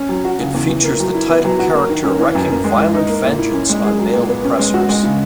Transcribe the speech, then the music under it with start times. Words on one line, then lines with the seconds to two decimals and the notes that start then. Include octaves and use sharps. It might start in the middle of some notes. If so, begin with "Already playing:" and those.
It features the title character wreaking violent vengeance on male oppressors.
Already playing: C#4
0.09 F#3
0.25 F#4
0.39 C#3
0.54 E2
0.70 E3
0.84 A#3
1.00 F#3
1.15 E4
1.30 B3
1.45 F#3
1.59 F#4
1.75 A#3
1.90 D#3
2.04 C#4
2.19 E3
2.35 F#2
2.50 A#3
2.64 G#3
2.79 E3
2.94 D#4
3.09 A#3
3.25 A#2
3.38 E4
3.54 C#4
3.69 G#3
3.84 G#4
3.99 F#3
4.14 A#2
4.29 B3
4.44 C#4
4.59 G#3
4.74 F#4
4.89 G#3
5.03 C#3